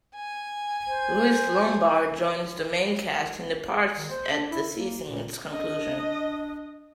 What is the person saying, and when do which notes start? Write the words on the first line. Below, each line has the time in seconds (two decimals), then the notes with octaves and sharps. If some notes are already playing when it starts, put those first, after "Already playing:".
Louise Lombard joins the main cast, and departs at the seasons conclusion.
0.15 G#5
0.87 C5
3.96 D#3
4.10 C5
4.31 D4
4.50 E4
4.73 A#3
5.08 A#2
5.52 D4 D#5